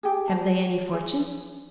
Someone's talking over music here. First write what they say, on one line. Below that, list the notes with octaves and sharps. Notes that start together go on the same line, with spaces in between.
"Have they any fortune?"
G4 G#4
C5 A5
G#4